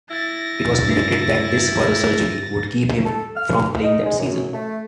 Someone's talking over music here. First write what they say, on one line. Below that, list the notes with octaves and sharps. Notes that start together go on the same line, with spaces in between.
It was predicted that this further surgery would keep him from playing that season.
E4 A6 A#6
G2
A4
F6
D#4
G#3
F#2
A3